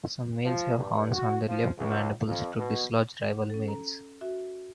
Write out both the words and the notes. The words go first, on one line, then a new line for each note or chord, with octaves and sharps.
Some males have horns on their left mandibles to dislodge rival males.
F3
G2
F#4
F3
C#2
F2
B2
C#4 A4
A#5
F#4 E5